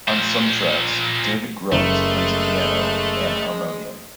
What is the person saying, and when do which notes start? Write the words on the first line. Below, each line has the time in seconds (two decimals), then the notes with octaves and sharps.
On some tracks David Grubbs plays piano and harmonium.
0.08 A#2 C5
1.72 F#1 G#3 A3